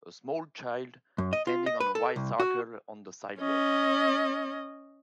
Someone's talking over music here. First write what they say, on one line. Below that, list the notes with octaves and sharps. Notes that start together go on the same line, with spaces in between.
A small child standing on a white circle on a sidewalk.
F#2
D#5
F4
D#5
B4
A4
C2
F#4
C#4 D#5